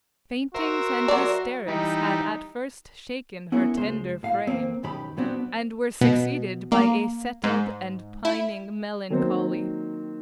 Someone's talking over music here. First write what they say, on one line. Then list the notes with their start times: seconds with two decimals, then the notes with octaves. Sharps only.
Faintings and hysterics had at first shaken her tender frame, and were succeeded by a settled and pining melancholy.
0.54 F#4 A#4 C5 E5
1.08 F#3 D5
1.68 E3 G3 D#4
3.52 B3 C#4 E4 A#4 C#5
3.77 C#2 F#2 G#3 C5
4.23 A2 F5
4.47 F2 A#3 C4
4.83 B1 F#2 D#3 G4 B5
5.17 A#2 F#3 B3 C4 D4
6.01 B2
6.72 A#3
7.43 G#2
8.25 E4
9.10 D#3 F#3 A#3 C4 C5